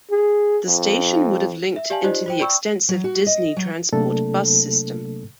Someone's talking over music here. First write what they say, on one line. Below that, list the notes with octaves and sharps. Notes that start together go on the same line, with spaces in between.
The station would have linked into the extensive Disney Transport bus system.
G#4
F2
E5
G4 D5 F5 G#5 A5 F#7
D#4 F4 G4 C5 D5 D#5
F4 C5 G5
D5 G5 B5 C#6 E6
F#3
F#4
D#5
F#3
C3 F#3 A3 A#3 D4 A4